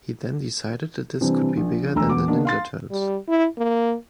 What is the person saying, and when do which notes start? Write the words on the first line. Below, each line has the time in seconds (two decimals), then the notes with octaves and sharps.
He then decided that This could be bigger than the Ninja Turtles.
1.21 C3 E3 G3 C4 D4
1.57 A#1
1.95 E1 D2 A3 A#5 E6
2.09 E1 B3 D6
2.27 D#3 A#3 B3 D4 D#4
2.45 F5 C6 A6
2.91 G3
3.28 E4
3.58 A#3